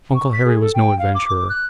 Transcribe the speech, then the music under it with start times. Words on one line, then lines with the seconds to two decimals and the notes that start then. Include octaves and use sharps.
Uncle Harry was no adventurer.
0.15 C#6
0.33 B6
0.45 G#4
0.61 A4
0.74 G5
0.99 F5
1.15 D6
1.28 D6
1.49 F#6